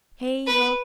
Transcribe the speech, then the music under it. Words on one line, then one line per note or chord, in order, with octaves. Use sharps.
Hey ho!
B4